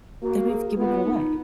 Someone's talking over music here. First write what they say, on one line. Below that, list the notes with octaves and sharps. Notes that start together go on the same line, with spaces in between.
then I've given it away.
A#3 F#4
G#4
B3 F4
D#4